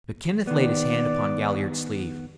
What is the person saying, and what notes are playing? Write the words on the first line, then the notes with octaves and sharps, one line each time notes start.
But Kenneth laid his hand upon Galliard's sleeve.
D#3 B3 D5